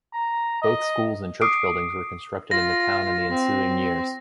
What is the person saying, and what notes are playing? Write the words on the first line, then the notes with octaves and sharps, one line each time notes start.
Both schools and church buildings were constructed in the town in the ensuing years.
A#5
D#5
D6 D#6 C7 D7
F4 A#6
C4